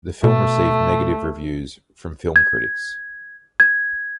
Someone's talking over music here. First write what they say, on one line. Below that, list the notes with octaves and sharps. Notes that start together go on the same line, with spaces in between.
The film received negative reviews from film critics.
B2 A3
G#6
G#6